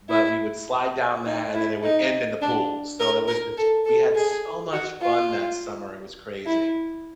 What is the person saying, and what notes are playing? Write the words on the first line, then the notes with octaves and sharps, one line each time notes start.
but we would slide down that, and then it would end in the pool, so it was just we had so much fun that summer, it was crazy,
E4
D#4
E4
D#4
D4
A#4
A#4
A4
A4
G#4
F#4
F4
E4